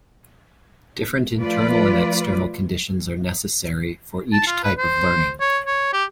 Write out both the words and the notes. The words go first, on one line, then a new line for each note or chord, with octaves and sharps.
Different internal and external conditions are necessary for each type of learning.
F3 A3 F4 B4 D5
A5
F4
B4
C5
C#5
C#5
G4